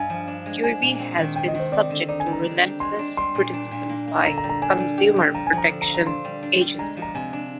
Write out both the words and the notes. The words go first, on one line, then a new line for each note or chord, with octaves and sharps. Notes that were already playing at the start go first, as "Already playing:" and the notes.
Kirby has been subject to relentless criticism by consumer protection agencies.
Already playing: G2 D#4 G#5
F3
D4
G#3
D4 G#5
A#2
C4
D#3
C3 G5
D#5
D#3
C5
C4 D5
D3
D#4 D5
G#5
G3
A#5
D4
G4
G#3 C6
D4
G3 C6
A#2
D4
A#2
A#3
A#3
D3 A#5
A#5
G3
A#5
D4 G#5
G3
G4
G3
F3 A#5
G#5
F3
A#5
D3
A#5
F4
A#5
D4 C6
G3
D4
G3
G#3 A#5
F3
A#5
C3 G#5
D4